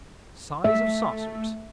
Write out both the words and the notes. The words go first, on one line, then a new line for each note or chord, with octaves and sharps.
Size of saucers.
A3 E5